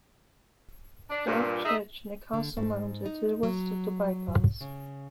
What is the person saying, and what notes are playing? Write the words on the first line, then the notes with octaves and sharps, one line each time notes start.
The old church and the castle mound are to the west of the bypass.
D4
G2 A#2
D#4 G#4 D#5 E5
D3
G#2
D#4
F#3
C#3